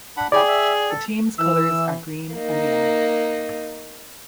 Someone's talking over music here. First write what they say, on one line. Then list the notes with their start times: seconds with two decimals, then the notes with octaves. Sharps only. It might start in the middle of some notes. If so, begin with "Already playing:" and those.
The team's colors are green and yellow.
0.17 D4 F#5 B5
0.32 E4 G4 G#4 C#5 D5 G5
0.48 E5
0.89 A4
1.38 E3 E6
2.35 A#3 D#4